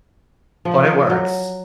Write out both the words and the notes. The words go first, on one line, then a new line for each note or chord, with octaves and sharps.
but it works.
F3
F#3